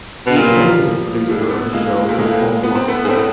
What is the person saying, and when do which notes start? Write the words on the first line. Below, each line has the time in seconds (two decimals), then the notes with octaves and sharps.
The executive producer of the show was Paul Block.
0.27 B2
0.37 A#2 G3
0.46 F#3
0.55 F3 G3
0.82 F3 G3
1.22 A#3
1.27 G#2 G3 A3
1.50 A3 B3
1.73 G#3 A#3
1.95 G#3 A#3
2.08 A#2 A3
2.18 A2 G#3 A#3
2.63 B3
2.75 C4
2.88 A3 B3
3.04 G#2
3.09 A2 C4
3.17 B3